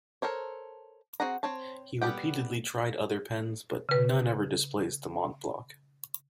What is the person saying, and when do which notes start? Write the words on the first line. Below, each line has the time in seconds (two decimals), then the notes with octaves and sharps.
He repeatedly tried other pens, but none ever displaced the Montblanc.
0.22 A4 A#4 C5 C#5
1.20 C4 F#4 G#4 F#5 A#5
1.43 C4 C5 C#5 A5
2.02 G3 B3 G4 F#5 G5
3.89 C#3 B4